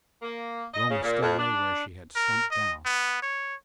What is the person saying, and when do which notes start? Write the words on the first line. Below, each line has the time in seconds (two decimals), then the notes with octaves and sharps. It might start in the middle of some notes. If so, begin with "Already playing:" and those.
Wilma still lay where she had slumped down.
0.22 A#3
0.74 D#5
0.89 C#3
1.02 A#2
1.22 F2
1.37 D4
2.15 A#4
2.51 D#5
2.85 B3
3.22 C#5